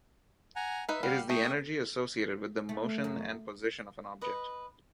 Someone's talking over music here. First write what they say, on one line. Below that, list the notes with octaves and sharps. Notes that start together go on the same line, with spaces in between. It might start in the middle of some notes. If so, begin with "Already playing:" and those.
It is the energy associated with the motion and position of an object.
F#5 G#5 A#5
D#4 B4 E5
G3 F5 F#5
A3 G5 C#6 D#6
A3
F#2
B4 D#5